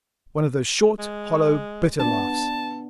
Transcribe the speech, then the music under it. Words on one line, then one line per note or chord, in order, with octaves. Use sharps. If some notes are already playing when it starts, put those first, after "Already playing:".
One of those short, hollow, bitter laughs.
G#3
B3 D4 A5